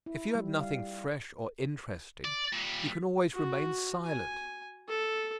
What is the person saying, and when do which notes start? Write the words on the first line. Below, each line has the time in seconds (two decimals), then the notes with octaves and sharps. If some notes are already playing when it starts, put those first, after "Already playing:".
If you have nothing fresh or interesting you can always remain silent.
0.06 E4
0.35 G3
0.60 F5
2.25 D5
2.53 A#2 G3
3.34 F#4
4.05 G#5
4.88 A4